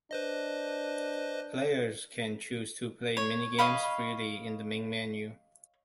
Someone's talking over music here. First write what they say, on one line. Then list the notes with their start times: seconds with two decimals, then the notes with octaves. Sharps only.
Players can choose to play mini-games freely in the main menu.
0.11 D4 B4 C5 D#5
3.17 C#5
3.58 C#5 D#5 F5 B5